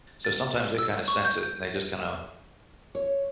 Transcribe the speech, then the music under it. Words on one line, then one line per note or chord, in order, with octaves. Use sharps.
so, sometimes they, kinda sense it, and they just, kinda
A6
E6
C#6
G6
C#5